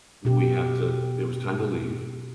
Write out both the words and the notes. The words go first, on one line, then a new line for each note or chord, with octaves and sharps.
we had to it was time to leave,
B2 G4